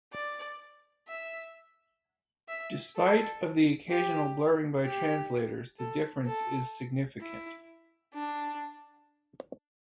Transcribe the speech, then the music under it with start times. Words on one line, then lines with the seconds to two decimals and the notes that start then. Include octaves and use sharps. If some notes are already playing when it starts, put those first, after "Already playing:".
Despite of the occasional blurring by translators, the difference is significant.
0.13 D5
1.08 E5
2.48 E5
2.96 A4
3.90 G4
4.85 G4
5.79 A4
6.26 A4
7.20 E4
8.14 D4